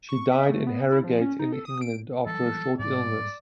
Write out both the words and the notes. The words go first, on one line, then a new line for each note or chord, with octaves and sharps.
She died in Harrogate in England after a short illness.
C#6
E5
A3
B3
E4
F3
C#4
D#4
A4
D#6
D7
E3 F#3 G3 A4
G#2 G3 A#3 D5